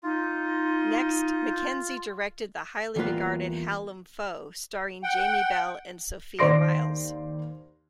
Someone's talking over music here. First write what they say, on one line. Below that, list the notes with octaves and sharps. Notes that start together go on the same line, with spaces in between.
Next, Mackenzie directed the highly regarded "Hallam Foe", starring Jamie Bell and Sophia Myles.
D#4 F4
E2 G3 A#3 F4 B4
F#5 G5
D#2 C5 D5 C6 A#6 D7